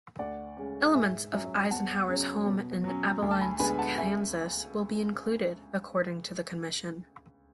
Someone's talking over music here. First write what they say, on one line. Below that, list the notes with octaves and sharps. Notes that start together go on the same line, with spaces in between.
Elements of Eisenhower's home in Abilene, Kansas will be included, according to the commission.
D2 D5 F#5
C#3 G#3 C#4
G#2 E5 G#5
F#3 C#4 E5 G#5
E2 F#5 A5
C#3 F#3 C#4
B2
F#3 C#4
D2
A5
G#5 B5
D3 G#3 B3 D4 G#5 B5
F#5 A5
C#2 E5 G#5